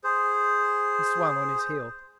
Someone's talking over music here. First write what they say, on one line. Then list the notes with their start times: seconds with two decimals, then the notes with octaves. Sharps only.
He swung on his heel.
0.04 G#4 C5